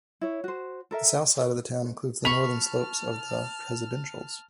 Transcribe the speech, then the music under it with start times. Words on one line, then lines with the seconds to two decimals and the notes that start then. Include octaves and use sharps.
The south side of the town includes the northern slopes of the Presidentials.
0.21 E4 C#5
0.44 F#4 C5
0.91 A4 A#4 E5
2.25 A5 B5 C#6 F6 F7